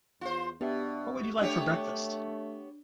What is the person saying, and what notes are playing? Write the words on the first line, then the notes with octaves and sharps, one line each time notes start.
What would you like for breakfast?
E2 F4 C5
B2 B3 D4 G4 E5
A3 B3 D4 G4 C#5